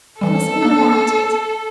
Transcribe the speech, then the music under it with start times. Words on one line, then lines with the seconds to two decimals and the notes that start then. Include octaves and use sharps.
Tell us all about it.'
0.21 E3 G3 A4
0.62 A#3 D4